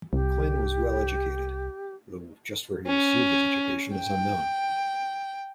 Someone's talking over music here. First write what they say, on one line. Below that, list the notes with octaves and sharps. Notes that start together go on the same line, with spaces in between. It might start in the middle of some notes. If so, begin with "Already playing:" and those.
Clyn was well educated, though just where he received his education is unknown.
C2 G4
C#4
G5